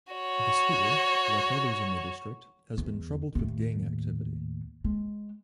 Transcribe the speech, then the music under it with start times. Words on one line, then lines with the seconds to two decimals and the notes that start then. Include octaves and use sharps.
The school, like others in the district, has been troubled by gang activity.
0.12 F#4 C#5
2.78 E2
3.35 D#2 A2
4.84 G#3